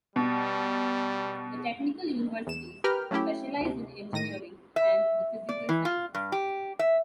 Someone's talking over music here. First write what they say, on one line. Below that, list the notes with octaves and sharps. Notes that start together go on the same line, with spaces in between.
The "technical universities" specialize in engineering and the physical sciences.
B2 G3
E2 E7
G4 A#4 B4 G5 F6
F#3 A3 C#4 E4 G4
D2 C3
A2 D#3 A#6 D#7
E5
D5
E3
F4
G2
G4
E5